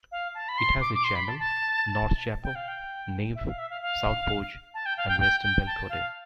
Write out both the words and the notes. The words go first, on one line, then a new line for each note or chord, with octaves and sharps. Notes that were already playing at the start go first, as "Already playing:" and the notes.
It has a chancel, north chapel, nave, south porch and western bellcote.
F5
A5
B5
C6
D6
D6
C6
B5
A5
A5
G5
F5
G5
E5
F5
E5
F5
F5
A5
G5
F5
G5
G5
G5
A5
F5